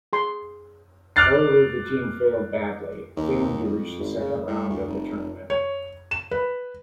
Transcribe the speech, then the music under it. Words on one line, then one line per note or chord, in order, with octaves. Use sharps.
However the team failed badly, failing to reach the second round of the tournament.
G#4 C6
D6 F6 F#6 A6 C7
D#2
F2
G#1
C#3
A2
D2
F1
C#5
E7
B4